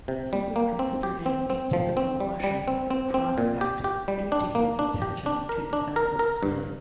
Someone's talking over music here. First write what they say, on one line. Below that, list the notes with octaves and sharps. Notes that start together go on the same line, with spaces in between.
He was considered an atypical Russian prospect due to his attention to defensive play.
C3
G3
A#3
C4
G4
C4
C4
F3
C4
G3
G3
C4
C4
C4
A#2
G4
G4
G3
D4
A#3
D4
G4
D4
A#4
D4
A#4
A#4
G2